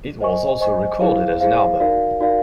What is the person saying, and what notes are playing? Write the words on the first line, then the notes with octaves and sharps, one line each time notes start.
It was also recorded as an album.
C5 D#5 G#5 C#6
C5 D#5 G#5 C#6
E4 G#4 C5 F5
E4 G#4 C5 F5
D#4 F#4 A#4 D5 F5
D#4 F#4 A#4 D5 F5